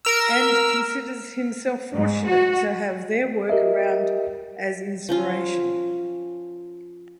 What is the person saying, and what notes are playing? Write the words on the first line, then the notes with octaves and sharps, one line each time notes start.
And considers himself fortunate to have their work around as inspiration.
A#4 E6
G#2
F#4
G4 A#4 D#5 E5
F3 C#4 F4